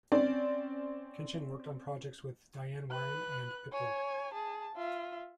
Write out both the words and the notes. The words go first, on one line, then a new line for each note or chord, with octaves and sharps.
Kinchen worked on projects with Diane Warren and Pitbull.
C4 C#4 D5
B4 F#6
C#5 G#5
G#4 A5
F4 E5